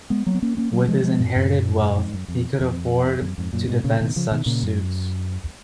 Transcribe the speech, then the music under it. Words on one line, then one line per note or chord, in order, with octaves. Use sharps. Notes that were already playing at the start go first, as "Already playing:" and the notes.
With his inherited wealth, he could afford to defend such suits.
G#3 B3
F#3 A#3
B3
A#3 C#4
A#3 C#4
F#3 A#3
F3 G#3
F3 G#3
F#2 A#2
F#2 A#2
F2 G#2
F#2
F2
F2
F#2
F2 G#2
F#2 A#2
G#2 B2
A#2 C#3
B2 D#3
C#3 F3
B2 D#3
A#2 C#3
F#2